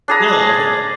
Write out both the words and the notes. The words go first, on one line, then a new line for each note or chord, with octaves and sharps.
No, no.
D4 G#4 A#5